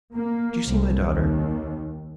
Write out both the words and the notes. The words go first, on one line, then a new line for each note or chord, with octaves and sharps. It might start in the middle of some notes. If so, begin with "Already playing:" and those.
"Did you see my daughter?"
A#3
C2
D#2